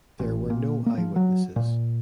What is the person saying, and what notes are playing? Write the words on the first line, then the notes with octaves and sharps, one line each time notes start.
There were no eyewitnesses.
A1
A#2
A#3
F3
F#3
A#2